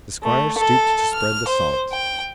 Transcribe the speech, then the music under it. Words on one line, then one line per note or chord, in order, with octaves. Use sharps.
The squire stooped to spread the salt.
A3
A4
F6
C5
G5